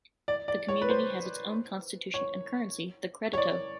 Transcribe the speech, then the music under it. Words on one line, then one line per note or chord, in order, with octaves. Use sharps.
The community has its own constitution and currency, the "Credito".
D5
D5
C#5
B4
C5
C#5
C#5
D5